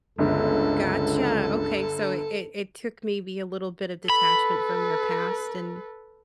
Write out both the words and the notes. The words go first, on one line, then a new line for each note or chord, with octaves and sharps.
Gotcha. Okay. So it it it took maybe a little bit of detachment from your past and
G1 C#2 D3 A4
A4 B4 B5